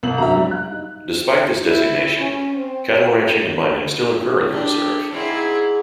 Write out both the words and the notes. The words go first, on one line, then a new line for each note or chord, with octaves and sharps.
Despite this designation, cattle ranching and mining still occur in the Reserve.
C2 F#7
F#3 D4 G4 E5 A#5
G3
F5 F#6
D#4
E4
C#4
C4
D4 G4
G#2 C4 E4 G#4